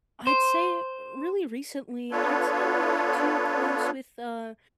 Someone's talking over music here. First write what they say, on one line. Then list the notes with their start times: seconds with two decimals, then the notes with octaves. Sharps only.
I'd say Really recently, I'd say I'm not too close with, uh,
0.27 C5
2.11 B3 D4 F4 A4 B4 C#5